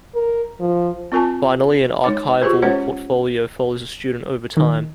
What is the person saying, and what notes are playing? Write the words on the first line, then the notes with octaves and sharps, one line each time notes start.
Finally, an archival portfolio follows a student over time.
A#4
F3
C4 F4 A#4 G#5 A5
G#3 D#4 C#5 D6
F4 G4 G#4 B4 C5
G#3 C#4 C5 C#5 F#5
D#3